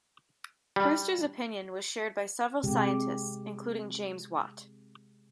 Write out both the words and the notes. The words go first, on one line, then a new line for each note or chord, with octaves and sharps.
Brewster's opinion was shared by several scientists, including James Watt.
G3
C3 G#3 G4